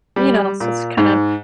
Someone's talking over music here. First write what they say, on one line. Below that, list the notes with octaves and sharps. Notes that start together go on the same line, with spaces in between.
You know, so it's kind of
G3
A#2
G#2